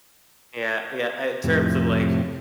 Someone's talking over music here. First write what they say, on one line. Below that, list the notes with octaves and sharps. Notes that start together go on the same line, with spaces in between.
Yeah yeah, in terms of, like,
F2 A2 C3